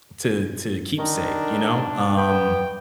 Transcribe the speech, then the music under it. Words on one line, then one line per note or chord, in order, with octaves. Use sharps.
to to keepsake, you know? Um
D#3 D4
B3 G5